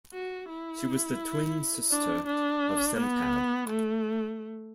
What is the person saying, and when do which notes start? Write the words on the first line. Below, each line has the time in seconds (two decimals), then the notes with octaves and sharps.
She was the twin sister of Sempad.
0.13 F#4
0.49 E4
1.91 D4
2.27 D4
2.98 B3
3.69 A3